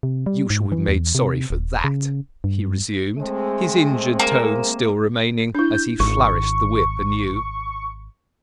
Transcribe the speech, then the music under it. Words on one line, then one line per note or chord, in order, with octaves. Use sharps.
"You shall be made sorry for that!" he resumed, his injured tone still remaining, as he flourished the whip anew.
C3
G3
G#2
E3
E2
C3
D#1
C#3
G2
G#3 A3 C4
A#3
D4 E4 G6
G#1 C#6